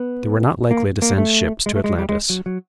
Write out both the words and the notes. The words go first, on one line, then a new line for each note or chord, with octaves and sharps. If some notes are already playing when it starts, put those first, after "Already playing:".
They were not likely to send ships to Atlantis.
Already playing: B3
A#3
A#3
A3
G#3
A3
G#3
G3
G#3
F#3
F#3